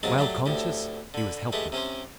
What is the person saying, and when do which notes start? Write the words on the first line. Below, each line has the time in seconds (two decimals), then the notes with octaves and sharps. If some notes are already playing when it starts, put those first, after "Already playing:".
While conscious, he was helpless.
0.03 D#2 G#2 C#3 F#3 G#4 A5
0.18 F#3 A3 G4 D5
0.46 D2 A2 G4
1.14 D3 B5
1.52 G#3 A3 G4 B4 E5
1.72 C3 C#4 G4 C5